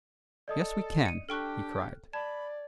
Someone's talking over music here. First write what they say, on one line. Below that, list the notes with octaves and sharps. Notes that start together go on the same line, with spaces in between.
"Yes, we can!" he cried.
A4 D5 D#5 D#6
C#7 D#7
D4 G4 A4 G5 C#6 F6 F#6
D5 A5 B5 G#6